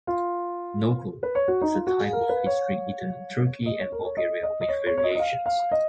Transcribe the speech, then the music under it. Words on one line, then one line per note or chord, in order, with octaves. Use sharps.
Nokul is a type of pastry eaten in Turkey and Bulgaria with variations.
F4
B4
C#5
F#4
D#4
F4
F#4
G#4
A#4
B4
C#5
D#5
C#5
A#4
C#5
D#5
D#5
D#5
C#5
C#5
C#5
D#5
D#5
F5
F5
D#5